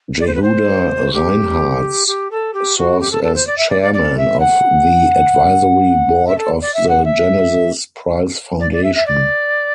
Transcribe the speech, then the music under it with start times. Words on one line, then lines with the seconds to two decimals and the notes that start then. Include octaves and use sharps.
Jehuda Reinharz serves as chairman of the Advisory Board of the Genesis Prize Foundation.
0.20 D5
0.27 C5
0.34 B4
0.42 C5
1.13 G4
2.07 G4
2.30 A4
2.53 G4
2.77 F#4
3.00 G4
3.11 A4
3.23 A4
3.35 C5
3.47 D5
3.58 E5
3.69 D5
3.81 D5
3.93 D5
4.17 E5
4.39 F#5
6.27 E5
6.38 A4
6.62 D5
6.74 E5
6.88 F#5
7.04 E5
8.60 D5
8.72 D5
8.83 E5
8.95 E5
9.06 D5